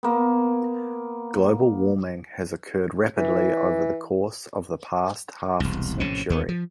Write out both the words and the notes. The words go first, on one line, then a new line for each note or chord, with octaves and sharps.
Global warming has occurred rapidly over the course of the past half-century.
A#3 B3
E3
E1 C2
A#1 A2 C3 C#4
D#2 B3
F3